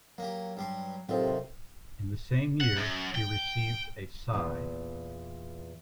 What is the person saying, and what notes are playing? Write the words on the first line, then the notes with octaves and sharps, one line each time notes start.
In the same year, he received a Sci.
F#3 A#3 G4
G2 G4 C6
A2 C3 D#3 F#3 F4 A4 C5
F#5
F#2
G5
E2 A#2